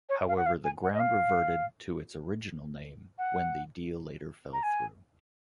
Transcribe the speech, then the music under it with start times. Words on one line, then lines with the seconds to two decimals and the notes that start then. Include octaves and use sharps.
However, the ground reverted to its original name when the deal later fell through.
0.09 C#5
0.28 F5
0.37 F#5
0.46 F5
0.64 G#5
0.83 F#5
0.93 D#5
1.00 F5
3.18 F#5
4.53 A#5
4.63 G#5